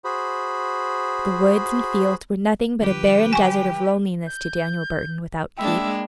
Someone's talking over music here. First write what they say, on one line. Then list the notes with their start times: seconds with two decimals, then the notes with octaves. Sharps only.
The woods and fields were nothing but a barren desert of loneliness to Daniel Burton--without Keith.
0.04 F#4 G#4 C5 B5
2.81 D3 F3 G3 G4 B4
3.33 G5 G#5 C#6
4.27 G6
5.58 G#3 A#3 D4 E5 G5 B5